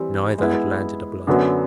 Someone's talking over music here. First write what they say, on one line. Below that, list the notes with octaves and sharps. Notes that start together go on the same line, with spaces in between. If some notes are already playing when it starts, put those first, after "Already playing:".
Neither had landed a blow.
Already playing: E3 G3 C4
G#3 B3 E4
F#2 D3 F#3 B3